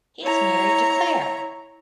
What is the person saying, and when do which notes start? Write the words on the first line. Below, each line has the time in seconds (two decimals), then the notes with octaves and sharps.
He is married to Claire.
0.21 E4 C#5 A#5